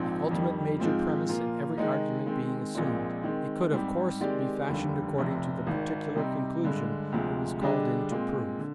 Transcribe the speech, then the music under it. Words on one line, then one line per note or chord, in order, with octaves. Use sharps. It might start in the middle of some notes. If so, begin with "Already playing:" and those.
The ultimate major premise in every argument being assumed, it could of course be fashioned according to the particular conclusion it was called in to prove.
Already playing: A#1 G#2 F3 C4
F2 D#3 G3
G#2 F3 G#3 C4 F4
A#2 F3 A#3 F4
D#3 G#3 D#4
D#3 G#3 C4
A#1 A#2 G#3 C4
D#3 G#3 C4
G#2 G3 C4 G4
D#3 G#3 C4 G4 D5
F1 D#2 D3 G3
F1 F2 C3
G#1 G#2 D#3
C3 G3 C4 D#4
G2 D3 G#3
D2 C3 F3 G#3
D3 G3 D4 G#4 D#5
A#2 G#3 C4
D3